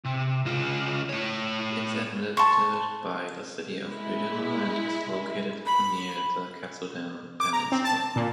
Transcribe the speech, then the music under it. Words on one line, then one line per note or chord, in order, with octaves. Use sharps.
Its administered by the city of Uruma and is located near the Katsuren Peninsula.
C3
C#2 F4
A3 C#5
A5 C6 C#6
G#3 E4
B5
D6
A#5
C4
A5
A#2